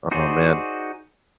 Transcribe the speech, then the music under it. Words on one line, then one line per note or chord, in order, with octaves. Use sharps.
Oh, man.
D#4 F#4 G#4 C5 D5